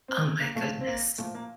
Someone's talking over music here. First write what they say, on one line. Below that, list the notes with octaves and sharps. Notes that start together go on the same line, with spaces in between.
Oh my goodness.
C4
A#3
A#2 F3 A3
C4
A#3
A#2 F3 A3
A#3